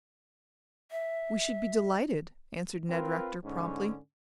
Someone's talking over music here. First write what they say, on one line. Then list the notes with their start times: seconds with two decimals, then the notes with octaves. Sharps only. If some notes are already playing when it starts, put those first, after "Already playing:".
"We should be delighted," answered Ned Rector promptly.
0.91 E5
2.90 C4 F4 A#4 B4
3.45 G#2 D3 C#4